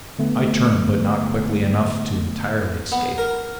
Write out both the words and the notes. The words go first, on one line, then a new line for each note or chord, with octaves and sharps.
I turned, but not quickly enough to entirely escape.
D3 A3 B3
B3
A#4